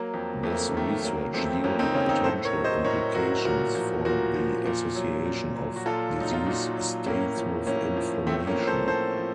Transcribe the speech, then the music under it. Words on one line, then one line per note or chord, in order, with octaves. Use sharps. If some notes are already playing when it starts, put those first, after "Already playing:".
This research yielded potential implications for the association of disease states with inflammation.
Already playing: F#3 A#3
F2
F2 A3
A#3
A3
A#3
D#3 A3
F#3 A#3
F2 A3 C4
F2 A#3 C#4
C4 D#4
C#3 A#3 C#4
C4 D#4
A2 A4 C5
A#4 C#5
F#3
C5 D#5
A2 A#4 C#5
F#3 F#4 A#4
A#2 F#4 A#4
F3
A#2 F#4 A#4
F3
A#2
F#3
A#2
F#3
F#4
A#2 F4 A4
F#3 D#4
F4
A#2 D#4 F#4
F#3
A2 A#3 C#4
F3
A2 A#3 C#4
F3
A2 A3 C4
A#3 C#4
F3
A4 C5
A2 A4 C5
F3